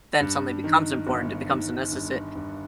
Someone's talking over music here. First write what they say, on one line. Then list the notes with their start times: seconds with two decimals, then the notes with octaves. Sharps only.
Then something becomes important, it becomes a necessi
0.20 G2
0.64 D#3
1.07 G1
1.50 D#3
1.92 G2
2.36 G2